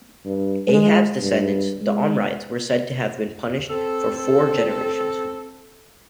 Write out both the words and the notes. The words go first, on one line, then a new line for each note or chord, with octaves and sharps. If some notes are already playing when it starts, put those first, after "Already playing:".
Ahab's descendants, the Omrides, were said to have been punished for four generations.
G2
G#3
G2
G#3
C4 A4